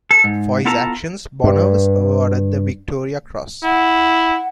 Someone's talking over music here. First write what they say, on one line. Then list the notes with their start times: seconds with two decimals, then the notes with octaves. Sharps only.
For his actions, Bonner was awarded the Victoria Cross.
0.11 A4
0.24 G#2
0.65 B3 E4 F4 A4 A5 A#5
1.44 G2
3.64 E4 F#5